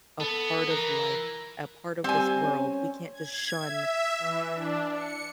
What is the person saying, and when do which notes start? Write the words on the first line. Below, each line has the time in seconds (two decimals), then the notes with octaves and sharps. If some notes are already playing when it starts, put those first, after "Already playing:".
a part of life, a part of this world. We can't just shun
0.20 B3 A4
0.70 E3 A#4
2.04 G3 C4 G#5
2.43 C#4
3.12 G#6
3.58 E5
4.19 E3
4.53 D4
4.92 C#7